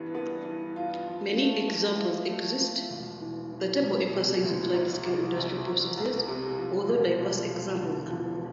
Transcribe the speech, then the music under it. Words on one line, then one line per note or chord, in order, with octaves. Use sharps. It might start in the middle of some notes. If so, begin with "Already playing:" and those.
Many examples exist, the table emphasizes large-scale industrial processes, although diverse examples are known.
Already playing: G2 E3 B3
B3
E3
F4
F3
A3
A3
E4
A3
F3
E1
E3
E3
E1
C3
D2
C2
C2
C2
C2
C2
C3
F3
E1
F3
F3
D3
E1